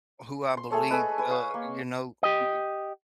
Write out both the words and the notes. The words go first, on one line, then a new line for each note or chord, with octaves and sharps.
who I believe, uh you know, b
C6
A3 G#4 A4 C#5
G#4 A4 B4 D#5
B4 G#5
C#5 F5
A#3
G4 D#5